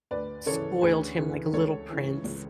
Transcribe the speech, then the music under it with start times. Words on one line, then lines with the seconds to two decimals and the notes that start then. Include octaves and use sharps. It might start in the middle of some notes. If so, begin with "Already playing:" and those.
spoiled him like a little prince.
0.11 D2 B4 D5
0.46 C#3 E3 A4 C#5
0.82 D2 G#4 B4
1.18 C#3 E3
1.53 C#2 A4 C#5
1.89 C#3 E3
2.24 C#2